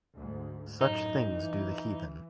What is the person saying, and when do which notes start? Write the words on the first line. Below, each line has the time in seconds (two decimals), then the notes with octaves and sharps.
Such things do the heathen.
0.15 D2 G#2
0.81 F#2 A2 D#4
1.30 E3